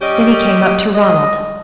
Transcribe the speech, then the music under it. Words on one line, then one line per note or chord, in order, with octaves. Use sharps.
Then he came up to Ronald.
G3 C#4 G4 D#5
D#5